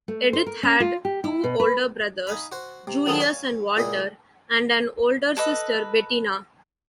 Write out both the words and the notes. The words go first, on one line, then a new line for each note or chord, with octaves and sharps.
Edith had two older brothers, Julius and Walter, and an older sister, Bettina.
A3
C5
A#4
C#4
F4
G4
E4
B2
B4
D#4 F5 G#5 B5
F#4 C5
C3
D#3 F3 F#3 B3 G#4 A4
C#5 F5 G#5
C#2 A#2 E4 D#5
A4 B4 D#5